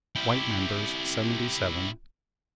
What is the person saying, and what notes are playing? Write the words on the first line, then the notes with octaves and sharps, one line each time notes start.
White members, seventy-seven.
E4 G4